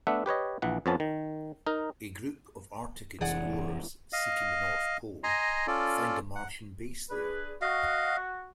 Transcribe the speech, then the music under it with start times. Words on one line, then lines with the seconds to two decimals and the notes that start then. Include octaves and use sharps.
A group of Arctic explorers seeking the North Pole find a Martian base there.
0.07 A3 B3 D4 E5 F#5
0.26 G4 B4 C#5 D#5
0.62 A#1 E3 F#5
0.86 F2 F3 B3 C#4 A5
1.00 D#3
1.67 D#4 A#4
3.21 F1 E3 G#4 D5 F#5
4.13 D#5 F5
5.24 D#5 G#5 A#5 C6
5.67 C#4 F4 A4 D5
6.36 F#5
7.10 D4 G#4 B4
7.62 F#4 D#5 F5